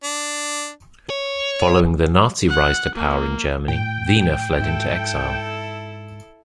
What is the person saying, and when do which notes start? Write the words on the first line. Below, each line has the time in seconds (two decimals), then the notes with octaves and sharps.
Following the Nazi rise to power in Germany, Wiene fled into exile.
0.04 D4
1.10 C#5
2.49 F#5
2.95 A#3
3.68 A2 G5
4.60 G#2 E4 A4